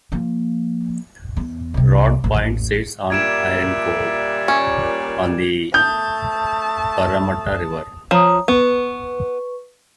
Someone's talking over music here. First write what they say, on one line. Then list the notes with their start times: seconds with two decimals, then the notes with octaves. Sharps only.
Rodd Point sits on Iron Cove, on the Parramatta River.
0.12 F3 A#3
1.37 E2
1.74 C2 C3
2.24 A1
3.10 A#2 G3 D5 E5 G#6 D7 E7
4.48 C#4
5.74 A3 A5 D#6 G6
8.11 F3 C#5 A#5 D#6
8.48 B3 B4 C#6